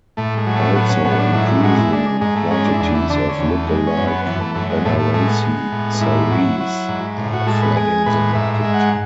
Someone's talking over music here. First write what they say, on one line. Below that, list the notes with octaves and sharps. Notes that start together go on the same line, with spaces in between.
Also, increasing quantities of look-alike Banarasi sarees are flooding the market.
A2 A3
G#3
F#3
A3
F#3 B3
C#4
A2 B3
D4
G#2 E4
E4
G#3 F#4
E4
G#3 D4
G#2 G#3
A3
G#3 C#4
D4
E4
E2 D4
E4
D3 D4
C#4
E2
A3
G#3
C#4
F#2
B3
E3 B3
A3
F#2 A3
G#3
A2 A3
A3
G#3 A3
B3
G#3
A2
G#2 E4
F#3
F#3
G#2
A2
F#4
G#3 A4
B4
G#3 G#4
A2 B4
G#2 E5
E5
G#3
F#5